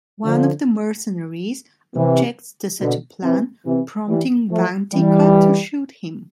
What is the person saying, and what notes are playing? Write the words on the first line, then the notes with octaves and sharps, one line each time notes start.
One of the mercenaries objects to such a plan, prompting Vantika to shoot him.
D3 F3
C3 E3
B2 D3
C3 E3
C3 E3
E3 G3
F3 A3
E3 G3